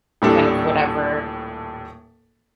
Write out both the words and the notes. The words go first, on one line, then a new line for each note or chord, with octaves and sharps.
kind of whatever
D#1 A2 G3 D4 A4